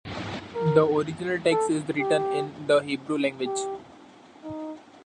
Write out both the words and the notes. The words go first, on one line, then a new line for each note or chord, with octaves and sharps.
The original text is written in the Hebrew language.
A#4
A4
G4
G4
D#4